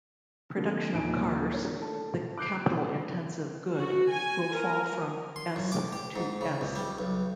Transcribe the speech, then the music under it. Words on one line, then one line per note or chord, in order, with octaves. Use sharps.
Production of cars, the capital-intensive good, will fall from "S" to "S".
D3 F3 G3 A#3 C4
D#1 A#1 F3 D#4 G#5 D7
D4 A#4 C#5
A3 A5
D6 F#6 G6 C7 D7
F#4
G#5
A#4
C6
F#2
D6
G4
G#2
C#3
C#2
G3
B1